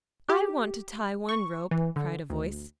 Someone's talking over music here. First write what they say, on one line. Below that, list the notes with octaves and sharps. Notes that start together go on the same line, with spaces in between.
"I want to tie one rope," cried a voice.
G4
C#6
E3
D3
D2